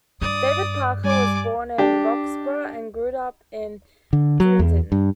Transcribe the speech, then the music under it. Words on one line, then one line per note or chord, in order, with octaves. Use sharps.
David Parker was born in Roxburgh and grew up in Dunedin.
G2 D5 D#6
G3 D5 G#5 D6
D4 G4
D3
F#3
E2
G2